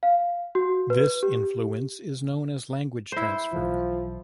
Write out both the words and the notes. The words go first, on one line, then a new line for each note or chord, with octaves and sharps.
This influence is known as "language transfer".
F5
F#4
B4
G4
E4 C5
B1 E3 F3